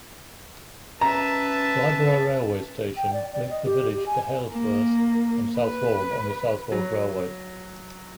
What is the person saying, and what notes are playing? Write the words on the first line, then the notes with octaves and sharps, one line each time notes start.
Blythburgh railway station linked the village to Halesworth and Southwold on the Southwold Railway.
C#4 B4 E5 A5 A#5
G5
D5
D5
D#5
G4
G4
G#5
A#3
B4
F#3